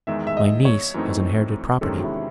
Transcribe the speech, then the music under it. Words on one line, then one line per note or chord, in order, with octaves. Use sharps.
"My niece has inherited property."
E2 D#3 G#3 E5
E5
D#5
C#5
F#2 E3 A3 C4 D#4
E2 C3 D#3 G#3 C#4 A4
F#4
E4